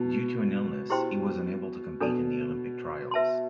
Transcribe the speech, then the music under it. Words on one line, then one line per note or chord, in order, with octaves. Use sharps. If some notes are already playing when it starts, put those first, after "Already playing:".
Due to an illness, he was unable to compete in the Olympic trials.
Already playing: B2 E4 A5
E4 G4 C5 G5 C6
B2 D4 A4 D5 A5
B4 E5 A5 C6